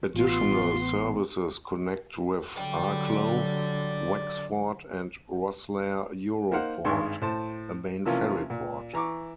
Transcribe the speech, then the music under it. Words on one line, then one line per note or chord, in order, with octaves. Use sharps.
Additional services connect with Arklow, Wexford and Rosslare Europort, a main ferry port.
A1 B3 F4 C6
D3 F#3 D5 G5
A#3 D#4 C5 F5 F#5
G#1 G2 D#3 G#3 C6 C#6
A2 C5 A5
C3 E3 F3 A#3 C#4 F4
A#2
E3 A#5 C#6 D6